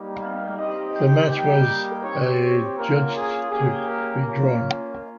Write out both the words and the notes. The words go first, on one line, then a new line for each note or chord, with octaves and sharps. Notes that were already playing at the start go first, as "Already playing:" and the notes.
The match was adjudged to be drawn.
Already playing: G3 A#3 D#4 G4
F5
C4 D#4 G4 D#5
G5
G3 A#3 D#4 G4 G5
C4 G4 C#5
C#5
A#3 C#4 F4 A#4
G#4
A#3 C#4 G4 G#4
A#4
A#3 C#4 F4